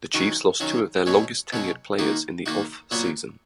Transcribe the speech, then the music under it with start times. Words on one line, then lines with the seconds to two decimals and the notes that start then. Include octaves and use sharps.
The Chiefs lost two of their longest tenured players in the offseason.
0.14 D#3 F#3 C#4 F#4
0.60 D#3 F#3 C#4 F#4
1.06 B2 F#3 C#4
1.53 B2 F#3 C#4
1.99 D#3 A#3 D#4 F#4
2.46 D#3 A#3 D#4 F#4
2.91 A#2 F#3 B3 F#4